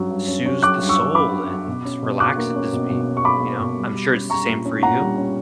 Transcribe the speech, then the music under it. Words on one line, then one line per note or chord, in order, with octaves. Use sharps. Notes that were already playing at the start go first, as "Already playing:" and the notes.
soothes the soul and relaxes me, you know? I'm sure it's the same for you.
Already playing: G2 F#3 C#4
G2
C#4
C#4
F#3 D6 F#6
G2
C#6 E6
G2
C#4 B5 D6
F#3
F#3
B2
C#4
B2
B2 D6 F#6
A#3
C#4
B2
B2
C#4
C#6
B2 B5 D6
A#3
B2
G3
G3
C#4
G3 A#5 C#6
A#2
C#4
A#2 F#5 A#5
G3
C#4